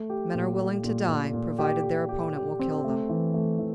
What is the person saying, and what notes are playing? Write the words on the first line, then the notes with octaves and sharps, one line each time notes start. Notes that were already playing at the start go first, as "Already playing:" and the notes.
Men are willing to die, provided their opponent will kill them.
Already playing: A3
G4
A#2
G4
A#2
A#2
A#2
G4
G4
G4
G4
C4
A3
E3
A3
E3